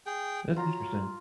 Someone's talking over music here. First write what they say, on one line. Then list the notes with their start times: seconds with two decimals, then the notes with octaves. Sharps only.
That's interesting.
0.06 G#4 G5
0.56 F#3 F4 A#5